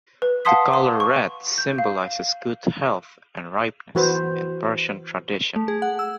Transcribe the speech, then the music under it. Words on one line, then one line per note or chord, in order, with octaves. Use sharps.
The colour red symbolizes good health and ripeness in Persian tradition.
B4
F5 F#5 A5 C6 D#6 B6
C6
C#6
G6
F5
E3 F#4 B4 C5
A3
G#4
F#5
E6